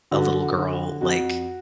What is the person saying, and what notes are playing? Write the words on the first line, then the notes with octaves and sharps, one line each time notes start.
a little girl?" Like
D3 F#4
D3
F2 F#4